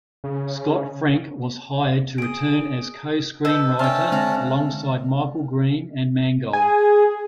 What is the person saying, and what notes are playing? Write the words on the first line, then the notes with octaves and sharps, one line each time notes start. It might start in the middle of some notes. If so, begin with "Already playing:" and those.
Scott Frank was hired to return as co-screenwriter, alongside Michael Green and Mangold.
C#3
G#4 D#5 D7
A4 B4 D#5 G6
C#4 D4 C5 E5 F5 G5 A5
D3 G#3 C4 F5 F#5 A#5
G#4 G#5